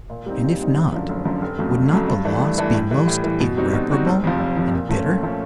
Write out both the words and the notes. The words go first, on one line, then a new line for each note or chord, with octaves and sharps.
And if not, would not the loss be most irreparable and bitter?
A#2
G3 C4 D#4
A#2
G3 C4 D#4
F#1
F#2 D3 F3
F#1
F#2 D3 F3
F1
F2 C#3 F#3 A3
F1
F2 C#3 F#3 A3
G2
E3 A3 D4
G2
E3 A3 D4
A2
E3 G3
A2
E3 G3
B2
G3 C4 D#4 F#4
B2
G3 C4 D#4 F#4
F#1
F2 C3 F3
F#1
F2 C3 F3
A#2
F3 A3 C#4
A#2
F3 A3 C#4